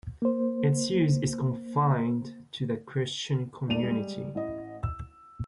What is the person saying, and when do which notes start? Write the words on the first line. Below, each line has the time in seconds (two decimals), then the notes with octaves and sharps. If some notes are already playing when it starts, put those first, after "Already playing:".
Its use is confined to the Christian community.
0.22 A#3 C5
3.68 E1 D#2 A3 D5 D#7 F7
3.83 G3 G#3
4.35 A1 E4 D#5
4.83 E6